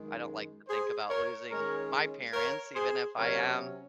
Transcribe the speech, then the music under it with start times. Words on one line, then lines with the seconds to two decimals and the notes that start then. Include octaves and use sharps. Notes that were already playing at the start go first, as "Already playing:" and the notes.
I don't like to think about losing my parents even if I am
Already playing: F#2 D#3 G#3
0.68 G#4 C5
1.09 A#4 C#5
1.51 D#3 G#3 C#4 A#4 C#5
2.33 A#4 C#5
2.75 G#4 C5
3.17 C3 F#3 C#4 A#4 C#5